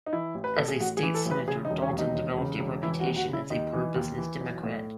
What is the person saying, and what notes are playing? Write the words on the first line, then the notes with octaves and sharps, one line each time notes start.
As a State Senator, Dalton developed a reputation as a pro-business Democrat.
D#4
E3 E4
A1
B4
A2 A4
G#4
A1 F#4
G#4
E3
A4
A1
B4
C#3 G#4
D#4
E1
C#4
D#2
D#4
E1
C#3
E1
E3 E4
F#4
D#2
F#4
C#3
E4
D#2 D#4
E3
D#2
E3
B1
A2